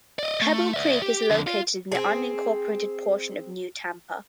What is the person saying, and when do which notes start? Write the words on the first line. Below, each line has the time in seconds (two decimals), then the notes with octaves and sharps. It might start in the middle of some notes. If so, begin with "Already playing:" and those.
Pebble Creek is located in the unincorporated portion of New Tampa.
0.19 D5 D#5
0.42 A3
0.74 D5 E5
1.02 G4
1.30 F2 D3
1.47 F4
1.92 C4 G#4